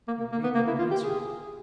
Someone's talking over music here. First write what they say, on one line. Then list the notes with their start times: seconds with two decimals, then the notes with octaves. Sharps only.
She made me no answer.
0.08 A#3
0.20 A#3
0.32 A#3
0.44 B3
0.55 A#3
0.67 E4
0.79 F4
0.91 G4
1.04 G#4